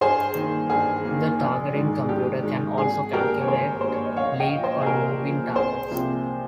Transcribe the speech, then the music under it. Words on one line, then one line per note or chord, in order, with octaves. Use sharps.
The targeting computer can also calculate lead on moving targets.
G2 G#4 C5
D#3 A#3
G2 G#4
D#3 A#3
A#1
G#2 D#3 G#3
A#1 G4
G#2 D#3 G#3
G#1 G#4
G2 G3 A#3 G4 A#4
C#5
G#1 G#4 C5
G2 G3 A#3 C5
C#5
D#5
A#1 C#5 F5
D#5 G5
A#2 F3
C5 D#5
G#4
A#1 G4 A#4
A#2 F3
C2 G#4 C5
C3 F3 A#3